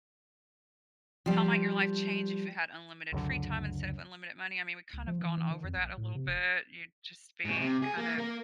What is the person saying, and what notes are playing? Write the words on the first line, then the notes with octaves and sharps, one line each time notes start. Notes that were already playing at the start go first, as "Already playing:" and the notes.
How might your life change if you had unlimited free time instead of unlimited money? I mean, we've kind of gone over that a little bit. You'd just be kind of
F3 G3
C#2 F#2 D3
C#2
F3
E3
E3
D#3
F2
A#1
A2
C3
F1
G#2 B2
C3
G#4
A#3
A#3 A#4